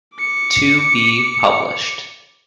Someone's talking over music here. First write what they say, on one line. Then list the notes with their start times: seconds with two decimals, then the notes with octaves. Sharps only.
To be published.
0.16 D6 C#7